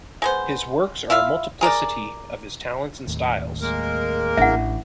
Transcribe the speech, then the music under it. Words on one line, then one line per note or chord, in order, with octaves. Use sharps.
His works are a multiplicity of his talents and styles.
G#3 B3 C5
E4 F4 E5 F5
G#4 A#4 C#5 D5
D#2 A2
G#3 A#3 A#4
A1 D4 E5 F#5